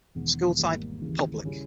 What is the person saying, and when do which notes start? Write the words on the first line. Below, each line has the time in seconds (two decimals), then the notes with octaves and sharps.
School type: Public.
0.15 E1 E2 D#3 G#3 B3
0.58 G#1 G#2 G3 A#3
1.02 D#2 C#3 E3
1.45 C#3 G3 C#4 E4